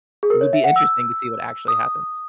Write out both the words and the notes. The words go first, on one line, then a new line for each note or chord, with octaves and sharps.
it would be interesting to see what actually happens.
G#4
A#4
C#5
E5
F#5
E6
D#6